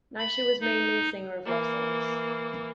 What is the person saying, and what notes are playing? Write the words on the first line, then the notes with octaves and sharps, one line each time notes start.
Neisha was mainly a singer of love songs.
B5
D#4
E3 A#3